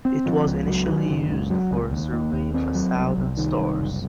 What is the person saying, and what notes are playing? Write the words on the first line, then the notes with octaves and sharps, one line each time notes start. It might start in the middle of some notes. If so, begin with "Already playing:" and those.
It was initially used for a survey of a thousand stars.
C4
F3
C#2
F#3
D#3
F#1
C#2
F#3
C#2
D#2
A#3
D#2
C4
F#3
C2
C2
D#3
C2
F#1